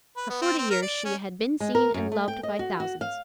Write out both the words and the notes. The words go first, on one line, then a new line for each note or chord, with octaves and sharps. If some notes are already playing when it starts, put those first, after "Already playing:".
For forty years she had been seen and loved by thousands.
B4
B3
C4
C4
A#4
D5
C#4
G#3
A#4
F#2
A3
G5
D#5
F#4
F#4
F5